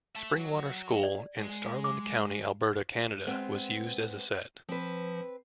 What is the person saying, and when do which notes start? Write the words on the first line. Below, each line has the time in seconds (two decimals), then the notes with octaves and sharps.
Springwater School in Starland County, Alberta, Canada was used as a set.
0.15 E5 A5
0.36 F#3
1.03 D5
1.39 G#3
1.84 D6
3.27 G#3 B3 C4
4.69 F3 C4 B4